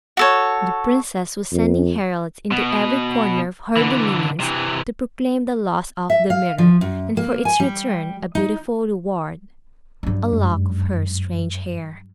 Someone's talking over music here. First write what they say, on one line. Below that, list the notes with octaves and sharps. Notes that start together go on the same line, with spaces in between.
The princess was sending heralds into every corner of her dominions to proclaim the loss of the mirror, and for its return a beautiful reward--a lock of her strange hair.
F#4 A4 C#5
F2
B2
D3 E3
C3 E3
E5
F5
F3
F#2
A#3
G#5
G3
D#4
G2 F#3
F#2 G#3